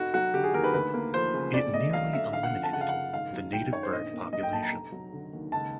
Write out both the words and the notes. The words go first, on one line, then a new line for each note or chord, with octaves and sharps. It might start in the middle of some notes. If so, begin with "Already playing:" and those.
It nearly eliminated the native bird population.
Already playing: F1 F#4
F#3 F#4
D3 G4
G#4
D#2 A#4
B4
D2 B4
A#3
F3 C5
C#3
F2 D5
A3 D#5
F#3 F5
D3 E5
G1 F5
F#5
F3
A5
C#3 F#5
F5
F#2 F#5
G#1 F5
F#3
D#3 G5
F#2 C#5
C5
A#1 D#5
A#3
F#3 D#5
G5
A#2 A5
A#5
F1
F#3
D3
D#2
C#2 A5